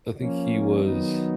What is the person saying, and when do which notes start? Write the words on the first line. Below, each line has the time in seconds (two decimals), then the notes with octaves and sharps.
I think he was
0.17 F3 A#3 C#4
0.81 D#3 F#3 B3 D#4